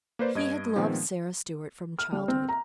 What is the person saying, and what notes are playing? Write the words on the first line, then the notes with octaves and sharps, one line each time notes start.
He had loved Sara Stuart from childhood.
A#3 B4 C5 D5
G2 D#5 G#6 D7
A#2 D#3 F3 G#3 B3 C4
F6
G3
C4
A#5